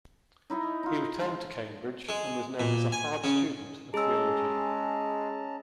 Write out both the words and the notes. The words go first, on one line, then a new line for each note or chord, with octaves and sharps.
He returned to Cambridge, and was known as a 'hard student' of theology.
D#4 E4 D#5 A#5
D#4 F4
G#3
G#3
A#2
G#5
C#3
G#3 C#4 G#4 A5 A#5 E6